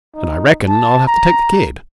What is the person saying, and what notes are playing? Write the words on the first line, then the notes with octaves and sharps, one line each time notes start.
And I reckon I'll have to take the kid.
D#4
A5
A#5